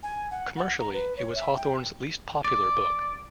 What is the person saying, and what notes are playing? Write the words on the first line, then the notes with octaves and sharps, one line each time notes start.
Commercially, it was Hawthorne's least popular book.
G#5
F#5
F#5
A#5
B4
C#5
E5
G5
D5